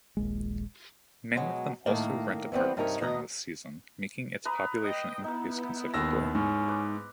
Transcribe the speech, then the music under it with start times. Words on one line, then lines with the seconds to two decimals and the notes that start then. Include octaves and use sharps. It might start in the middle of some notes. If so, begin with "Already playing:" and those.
Many of them also rent apartments during this season, making its population increase considerably.
0.17 D#1 A#1 G#3
1.36 B2 F#3 G#3
1.86 A2 D#3 A3 A#3
2.52 E3 G3 B3 C4
2.77 G2 C3 D#4 A#4 C#5 A#5
3.00 D2 B2 B3 D#5 A5 A#5
4.45 B4 A#5 D#6
4.82 D#5 G5
5.24 B3 D#4 E4
5.94 D#2 E6 A#6
6.35 G#2 C#4
6.68 B4 D6